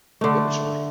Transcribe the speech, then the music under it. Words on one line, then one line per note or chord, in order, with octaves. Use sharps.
You have a try.
D3 A3